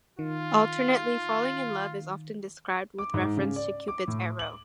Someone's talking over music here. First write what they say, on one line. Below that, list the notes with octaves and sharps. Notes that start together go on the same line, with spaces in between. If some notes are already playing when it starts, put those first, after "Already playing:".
Alternately, falling in love is often described with reference to Cupid's arrow.
D#3 F4
D6
G#2
C#3
D5
D6
A2
F#7